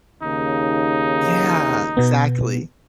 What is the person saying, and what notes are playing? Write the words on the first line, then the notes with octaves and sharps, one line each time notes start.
Yeah, exactly.
D#2 C#3 D#4
B2 B3